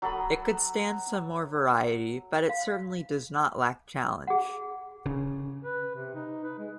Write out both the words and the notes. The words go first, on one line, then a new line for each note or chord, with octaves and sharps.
It could stand some more variety, but it certainly does not lack challenge.
F#3 A4 B5 D#6
F5
G#4 F#5
C#3
B4
C3
D#4
B4
G#3